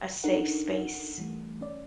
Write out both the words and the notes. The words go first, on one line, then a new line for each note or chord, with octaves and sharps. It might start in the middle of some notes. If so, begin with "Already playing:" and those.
a safe space
D4 D#4 A4 A#4 F#5
E3 G3 A3
C#4 D5